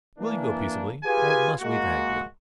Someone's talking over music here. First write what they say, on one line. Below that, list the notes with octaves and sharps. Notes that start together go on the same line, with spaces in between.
"Will you go peaceably or must we drag you?"
E3 A#3 D4
F4 G4 G#4 B4 G#5
G#3 A#3 F#4